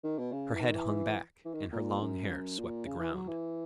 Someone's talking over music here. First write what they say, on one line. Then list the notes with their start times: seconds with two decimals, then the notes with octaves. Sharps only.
Her head hung back, and her long hair swept the ground.
0.04 D#3
0.18 B2
0.32 C#3
0.54 E3
0.61 D#3
0.74 E3
1.45 E3
1.54 D#3
1.72 A#2
2.01 F#2
2.29 F#2
2.58 A#2
2.86 C#3
2.99 E3
3.14 F#3
3.28 E3